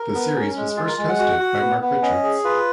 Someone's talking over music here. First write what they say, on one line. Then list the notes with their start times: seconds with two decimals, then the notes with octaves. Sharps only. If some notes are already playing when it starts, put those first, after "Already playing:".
The series was first hosted by Mark Richards.
Already playing: A#4
0.14 B3
0.35 C#4
0.56 G#3
0.77 F4 G#4
0.87 A#4
0.98 G#3
1.08 F#5
1.19 F#4
1.39 F#4
1.61 B3
1.81 B3
2.02 C#4 D#5
2.23 G#4
2.44 F4 B4